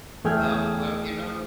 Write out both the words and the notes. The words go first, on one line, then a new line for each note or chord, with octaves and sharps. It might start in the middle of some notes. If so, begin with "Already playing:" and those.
Uh, well, you know
E2 A3 G#4 G5 F6 G#6